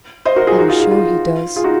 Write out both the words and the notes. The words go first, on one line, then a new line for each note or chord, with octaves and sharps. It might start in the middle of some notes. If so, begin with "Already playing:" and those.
"I am sure he does."
C5 D#5
F#4 A#4
F4 G#4
D#4 F#4
F4 G#4
F4
F4
F4 G#4
D#4 F#4